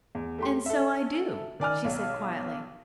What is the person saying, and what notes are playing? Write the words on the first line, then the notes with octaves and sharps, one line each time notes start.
"And so I do," she said, quietly.
E2
A3 G4 C6
A4 E5
D#3 D5 G#5 F6
B1